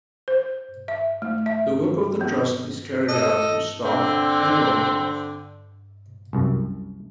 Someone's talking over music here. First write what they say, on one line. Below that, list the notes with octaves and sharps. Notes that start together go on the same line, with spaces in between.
The work of the trust is carried out through staff and volunteers.
C5
E5
A3
E5
B3
A4 D#5
D3 C4
C2 F#2